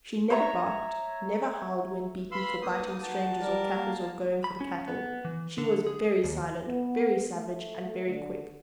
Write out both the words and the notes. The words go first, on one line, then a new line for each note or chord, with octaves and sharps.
She never barked; never howled when beaten for biting strangers or kaffirs or going for the cattle; she was very silent, very savage, and very quick.
C#5 E5 A#5 C#6
B4 F5 B5 C6 E6
A#3 D#4 D#6
F#4 A5
G3 A#4 D5
A#3
B5
C#4
B3
E3
D3
G#4
D#2
B3
A3
D3